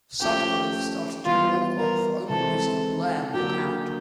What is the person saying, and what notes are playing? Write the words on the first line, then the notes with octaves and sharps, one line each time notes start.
Sutcliffe started to walk off only to see Blair walk out.
F3 A3 C#4 G4
E3 G3 B3 E4 F4
A#4
C3 E3 G#3 C4 E4 A4
D3 F#3 A#3 G4